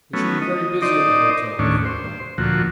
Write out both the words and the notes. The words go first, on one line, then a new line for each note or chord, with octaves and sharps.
We shall be very busy at the hotel before long.'
F#3 A3 B3 C#4
D#5
D#4 C5 D5 D#5
D#2 A2 C#4 D4
C5
D2 A#2 F3 F#4